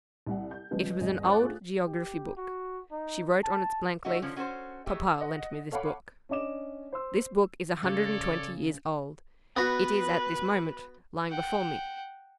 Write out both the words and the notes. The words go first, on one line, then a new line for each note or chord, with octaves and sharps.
It was an old geography-book; she wrote on its blank leaf, 'Papa lent me this book.' This book is a hundred and twenty years old; it is at this moment lying before me.
C2 G3 F#5
G6
C#3 F3 G3 G#3 B3
G1 C#2 D#5
C5 C#5 F#5 D6 F#6 A6
A3 F4 G#4 A4
G4
F#4
D#4
A5
A3 D#4 F#4
D3 F3 C#4
C#4 F#4 A4 B4 C5
F#3 G#3 A3 G4
D#5 F#5
A4 C#5 F5 F#5 B5 D6
C#4 D4 D#5 D6 E7
C5 C6 E6
C#3 A4 C#5 D5
B3 F#4 B4
F#5 G5